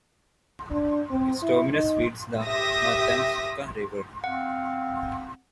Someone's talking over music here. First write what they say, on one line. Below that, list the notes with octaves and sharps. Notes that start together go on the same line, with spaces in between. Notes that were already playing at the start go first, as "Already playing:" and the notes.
Its terminus feeds the Matanuska River.
D4
C4
E4
D#4
G4 E5 D#6 A#6
C4 F5 F#5